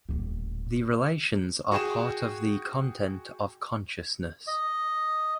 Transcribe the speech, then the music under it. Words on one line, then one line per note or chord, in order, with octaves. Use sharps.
The relations are part of the content of consciousness.
D#1 A2
F#4 G#4 G5 E7
D#5